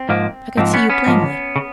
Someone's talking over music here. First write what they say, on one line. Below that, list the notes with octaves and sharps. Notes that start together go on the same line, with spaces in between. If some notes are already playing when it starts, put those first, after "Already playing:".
I could see you plainly.
Already playing: C4
G#2 F3 A#3
G#2 F3 A#3 C4
B3 C#4
B3 C#4
G#2 F3 A#3
C#3